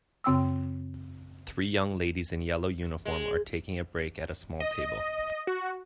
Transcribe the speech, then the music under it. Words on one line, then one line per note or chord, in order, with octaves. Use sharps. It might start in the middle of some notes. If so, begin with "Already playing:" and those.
Three young ladies in yellow uniform are taking a break at a small table.
F#2 C#3 C4 G5 D#6 E6
G#3
D#5
F#4